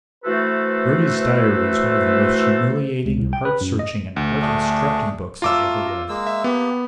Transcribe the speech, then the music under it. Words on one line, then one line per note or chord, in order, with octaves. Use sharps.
Brodie's diary is one of the most humiliating, heart-searching, and heart-instructing books I ever read.
E3 A3 F#4 A4 B4 C5
C#2
C2
G5
B4
F#2
D#5
D2
A3 D4 G#4
A3 F4 A#5 D6 E6
G#3 A#3 E6
E5
A#3 B3 G4